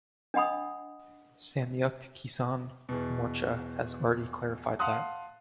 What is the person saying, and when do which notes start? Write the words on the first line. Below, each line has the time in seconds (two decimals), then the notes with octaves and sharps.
Samyukt Kisan Morcha has already clarified that.
0.34 D4 D#5 F#5 B5 D#6
2.89 E2 B2
4.79 F5 F#5 A5 C6 D#6 F#6